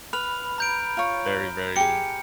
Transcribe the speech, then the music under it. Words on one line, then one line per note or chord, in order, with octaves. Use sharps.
very, very
B4 B5 F6 F7
A#5 G6 D7
F4 C#5
G4 G#4 C#7